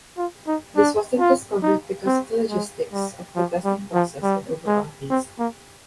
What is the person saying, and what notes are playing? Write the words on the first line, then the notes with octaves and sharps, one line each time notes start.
This wasn't discovered because of the logistics of the testing process and overall haste.
F4
D#4
D4
F4
D#4
C4
G#3
G3
F3
G3
F3
G3
G#3
C4
A#3